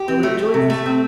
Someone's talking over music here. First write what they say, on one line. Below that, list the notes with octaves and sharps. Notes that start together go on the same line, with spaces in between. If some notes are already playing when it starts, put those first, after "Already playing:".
"Where will it join us?"
Already playing: G4
C4
A3
A3
C3
A3
C4